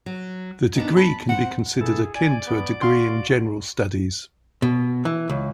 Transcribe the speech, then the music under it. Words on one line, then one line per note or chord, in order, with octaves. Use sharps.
The degree can be considered akin to a degree in general studies.
F#3
D#2 B3 D4 D#4
A5 B5
C4 F#5
B2 E4 G#4 A4
D5 G#5
B3
F#4 F5 C6
B2
E3
C#2